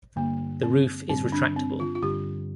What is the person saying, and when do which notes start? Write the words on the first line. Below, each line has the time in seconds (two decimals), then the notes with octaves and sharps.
The roof is retractable.
0.16 G2 D3 G3 A#3
0.63 C4
1.10 G2 D3 G3 C4
1.32 D4
1.56 C4
1.80 F4
1.95 F4
2.03 G2 D3 G3 G4